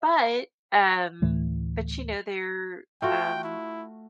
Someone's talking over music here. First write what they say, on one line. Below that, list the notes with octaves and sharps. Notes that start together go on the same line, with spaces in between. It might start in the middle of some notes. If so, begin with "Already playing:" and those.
But, um, but, you know, they're, um,
D2 A2 E3 A3
A3 F4 F#4 G5
E4